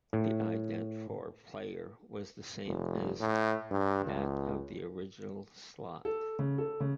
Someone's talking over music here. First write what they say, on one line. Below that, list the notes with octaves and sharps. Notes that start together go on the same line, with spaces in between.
The ident for Player was the same as that of the original slot.
A2
F1
A2
G2
C#2
A4
C#3
A4
C#3